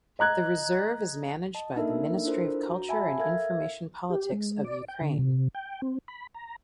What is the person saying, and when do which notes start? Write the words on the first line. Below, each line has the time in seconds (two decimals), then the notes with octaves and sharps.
The reserve is managed by the Ministry of Culture and Information Politics of Ukraine.
0.19 D#5 A#5 F#6 G#6
1.55 D#5 A5
1.76 A#3 D4 D#4 A4 A#4 E5
2.25 D4 E4 F4 A4 A#4 C5
2.63 F#4 A#5
2.89 E5 F#5 G#5 A5 B5
3.18 A4 A#4 E5 F5 G#6
4.10 G4
4.32 G#3
4.64 D5
4.88 G5
5.02 D3
5.19 C3
5.55 G5
5.82 C4
6.08 B5
6.34 A#5